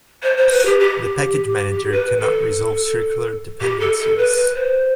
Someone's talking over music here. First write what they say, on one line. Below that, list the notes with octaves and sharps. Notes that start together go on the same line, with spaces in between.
The package manager cannot resolve circular dependencies.
C5
C5
B4
G4
G4
B4
A4
G4
A4
A4
B4
B4
C5